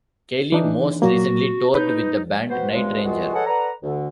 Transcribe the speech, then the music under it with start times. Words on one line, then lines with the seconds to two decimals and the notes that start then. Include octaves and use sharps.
Kelli most recently toured with the band Night Ranger.
0.52 E3 D4 D#4
1.02 A#2 F#3 A#3 F#4
1.75 D#4 B4 G6
2.50 B3 C4 F#4 B4 C5
2.70 C2 G2 F3 G#3
3.04 C2 G#3 B3 F4 F#4
3.34 G#4 A4 B4 C#5 D#5 F#5
3.46 A4 B4 D5 F#5 A#5
3.83 D2 D3